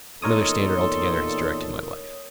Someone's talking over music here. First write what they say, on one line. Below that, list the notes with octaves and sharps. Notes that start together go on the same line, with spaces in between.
Another standard altogether has directed my life....
E2 A#2 D#4 A4 A#4 C#5 C6 D#6